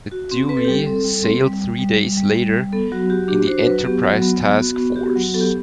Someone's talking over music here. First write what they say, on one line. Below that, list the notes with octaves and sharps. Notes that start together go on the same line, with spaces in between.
The "Dewey" sailed three days later in the "Enterprise" task force.
F#4
C4
C4 B4
A4
G4
G3 A4
C4
G3
C4
G3
G3
G3
G3
G3
G3
G3
B3 A4
F#3 F#4
F#4 G4
D4 G4
F#4 C5
F#3 B4
B3 G4
F#3 F#4
B3
B3
F#4
B3
F#4 G4
F#3
B3 A4
G4